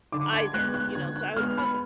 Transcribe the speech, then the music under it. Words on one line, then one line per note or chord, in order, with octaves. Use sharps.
either, you know, so I would probably
D3 D6
G#6
G#3 B3 F#6
F#6
D3 G#6
F#6
G#3 B3 F6
B5